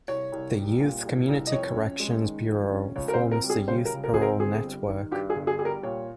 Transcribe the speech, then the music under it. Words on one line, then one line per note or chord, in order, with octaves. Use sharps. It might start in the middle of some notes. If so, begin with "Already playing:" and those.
The Youth Community Corrections Bureau forms the youth parole network.
C2 C#5
C2
G3
A#2
C2
C2
D#5
F2 C#5
C#4
G#3
D#3
F2
C#4
C#2 C#5
A#4
C5
C4
A#4
G3
G#4
C#3 C5
A#4
C#2
A#4
C4 G#4
A#4
G1 G#4
G3
D#3
G2 G4
G#4
G1
G#4
G3 G#4
A#4
A#2 C#5